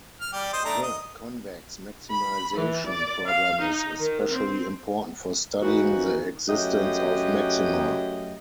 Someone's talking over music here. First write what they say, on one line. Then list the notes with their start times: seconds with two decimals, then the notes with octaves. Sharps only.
The convex maximization problem is especially important for studying the existence of maxima.
0.21 F6
0.33 G3 G4
0.53 C5 D#5
0.65 A3 D4 A#5
0.83 D#5
2.11 B5
2.56 E3
2.86 D5
3.26 F5
3.61 D#4
4.00 D#3
4.31 C4
5.63 E3 F3 A#3 D#4 F#4
6.49 F#2 A3 G4 D#5